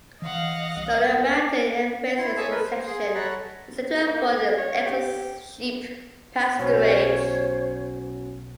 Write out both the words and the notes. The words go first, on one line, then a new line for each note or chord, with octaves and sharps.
Stono Mountain, embraced in this section, is said to afford excellent sheep pasturage.
E3 D#5 F5 F#5
C2
E4 C6
C#5 D#5 E5 G#5 A5
A#4 B4
C5
G#4 C6
A4 C#5 F#5 A#5 B5
A#3
G#4
C#5
G4
B1 B2 F#3 C#4 F#4 C5 C#5